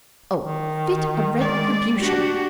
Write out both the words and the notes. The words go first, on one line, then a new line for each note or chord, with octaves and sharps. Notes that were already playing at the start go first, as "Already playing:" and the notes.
Oh, fit retribution!
D#3
G#3 D5
D4 F#4 G4